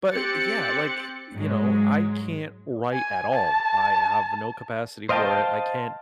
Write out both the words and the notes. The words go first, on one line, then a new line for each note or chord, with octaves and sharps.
But, eh, yeah, like, y you know, I can't write at all, I have no capacity for it, I can't
C4 G4 F#6 A6 C#7
G#2 F#3 G#3
G#5
A5
C5 D#5 F5 G5 A5